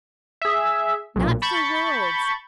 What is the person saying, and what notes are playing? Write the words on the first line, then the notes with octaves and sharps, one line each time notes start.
'Not for worlds!
G#4 E5
B1 A#2
A5 B5 C#6 G6 A6